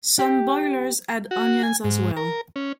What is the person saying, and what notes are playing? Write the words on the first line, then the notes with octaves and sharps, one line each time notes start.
Some boilers add onions as well.
G4
F#4
G#5
G#2
A#4
C#4